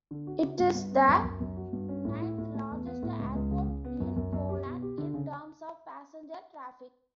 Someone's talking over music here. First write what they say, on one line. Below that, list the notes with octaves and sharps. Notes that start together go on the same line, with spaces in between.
It is the ninth largest airport in Poland in terms of passenger traffic.
D3
F#4
C#3
G2
G2
B3
F#2
F#2
F#2
F#4
G2
C#4
A2
E4
A2
A3
E2
B3
A2
C#2
C#2
C#3
C#3
B3
F#2
F#2
F#2
G4
B2
G4
D3
C#3